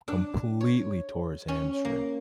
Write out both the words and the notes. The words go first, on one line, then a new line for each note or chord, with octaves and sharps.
completely tore his hamstring.
D4
C#5
C#4
A#3